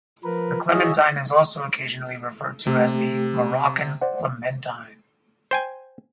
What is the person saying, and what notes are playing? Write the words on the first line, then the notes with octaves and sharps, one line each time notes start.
The clementine is also occasionally referred to as the "Moroccan clementine".
F3 A#4 B4
E4 F#4 G#4 C#5 D#5 E5
C3 A3 G4
C5 D5 F#5
C5 G5 G#5